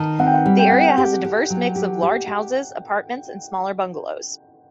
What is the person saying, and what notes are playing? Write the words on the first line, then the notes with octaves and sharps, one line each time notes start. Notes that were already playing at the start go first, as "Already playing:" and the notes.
The area has a diverse mix of large houses, apartments, and smaller bungalows.
Already playing: D#3 A5
C4 F#5
G5
F#5
G3
G5
C4 F#5
G5
G4
G4
F#3
G4
G4
G4